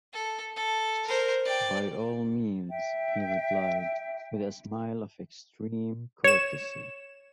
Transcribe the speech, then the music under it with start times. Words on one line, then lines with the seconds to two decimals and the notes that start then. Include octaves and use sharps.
"By all means," he replied, with a smile of extreme courtesy.
0.13 A4
0.56 A4
1.07 A#4 C5
1.45 D5 G5
2.70 E5 G5
6.24 C#5 E7